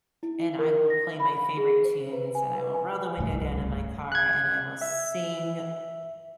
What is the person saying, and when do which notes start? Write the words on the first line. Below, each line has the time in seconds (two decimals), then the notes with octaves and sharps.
and I will play my favorite tunes, and I will roll the window down in my car, and I will sing
0.23 E4
0.59 A#4
0.90 A#6
1.20 B5
1.57 G#4
1.85 C5
2.13 B4
2.35 G#5
2.55 B4
2.74 G#5
3.18 D1 C2 G2 A3
4.12 F#6 G#6
4.81 E5